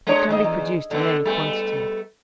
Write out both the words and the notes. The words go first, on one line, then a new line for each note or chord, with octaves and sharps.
It can be produced in any quantity.
G#3 D4 C#5
D#2 G#2 D#5
E2
D3 A3 B3
G3 A3 B3